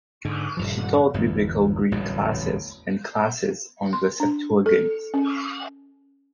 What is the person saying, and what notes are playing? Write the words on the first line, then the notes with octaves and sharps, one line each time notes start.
She taught biblical Greek classes and classes on the Septuagint.
G#2 D3
D#1 G2 F3
G1 E2
D1 A1 E2 G3
C6
D4
A4
C#4